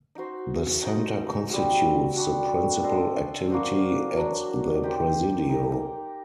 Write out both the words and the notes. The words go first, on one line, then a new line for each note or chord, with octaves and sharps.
The center constitutes the principal activity at the Presidio.
D#4 F#4 C5
D#4 A4 D#5
G3 C4 F#4
G3 D4 F#4
D4 A4 C5 D#5
A#3 F#4 C5
F#3 A#3 D4
D#4 G4 C5
D#4 G4 A#4